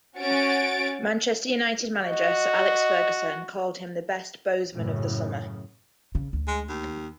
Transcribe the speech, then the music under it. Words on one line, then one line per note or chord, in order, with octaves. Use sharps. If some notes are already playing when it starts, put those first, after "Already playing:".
Manchester United manager Sir Alex Ferguson called him the "best Bosman of the summer".
C#4 F#4 C#5 A6 D7
F#4 D#5
F#2 A2 C#3
C#3
D2
G#3
D#2